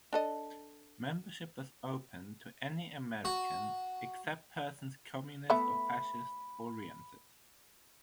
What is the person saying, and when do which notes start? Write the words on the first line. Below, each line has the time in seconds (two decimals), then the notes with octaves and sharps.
Membership was open to any American "except persons Communist or Fascist oriented".
0.13 D4 A4 D#5
3.25 F#4
5.50 A3 B3 E5 B5